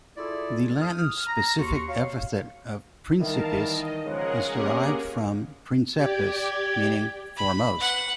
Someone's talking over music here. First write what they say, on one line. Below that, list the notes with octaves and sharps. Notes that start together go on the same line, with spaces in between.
The Latin specific epithet of "principis" is derived from "princeps" meaning foremost.
E4 F4 G#4 A4 D5
D#6 F6
A#5
D#2 F#4 C6 C#6
C#5 F5
D#3 E3 G3 A#4 F5 A5
D#5
C#3 F3 G#3 G#4 A#4 F#5
G#3 A#3 C#4 G4
G4 D5 G5 G#6
B5
B4 F#5